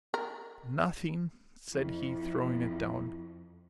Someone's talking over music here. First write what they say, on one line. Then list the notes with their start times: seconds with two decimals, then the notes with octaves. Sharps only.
"Nothing," said he, throwing it down.
0.14 A#4
1.73 F2 E4